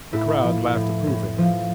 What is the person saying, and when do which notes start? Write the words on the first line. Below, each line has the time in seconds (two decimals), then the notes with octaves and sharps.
The crowd laughed approvingly.
0.13 A2 E4
0.44 F3
0.75 A2
1.07 A2
1.38 F3